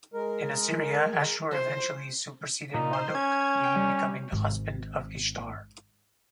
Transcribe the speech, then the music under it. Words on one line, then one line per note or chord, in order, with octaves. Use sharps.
In Assyria, Ashur eventually superseded Marduk, even becoming the husband of Ishtar.
G#3 A#4
C5
A#2 D#4
C5
C#4 G#6
G5
G3
G#1 G#2